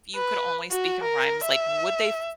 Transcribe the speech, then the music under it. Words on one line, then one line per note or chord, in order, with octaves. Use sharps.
you could only speak in rhymes, like, would they f
B4
F#4
A#4
E5